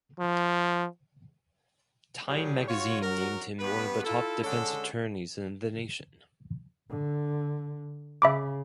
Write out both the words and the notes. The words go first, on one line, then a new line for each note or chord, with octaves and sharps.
Time magazine named him one of the top defense attorneys in the nation.
F3
A2 F#3 G3 G4 G#4
F4 F#4 C#5
F#3 F#4 A#4
G2 B3 B4
E4 F4 A4
D3 G#3 C#4 A4
D3
C#3 E5 B5 D6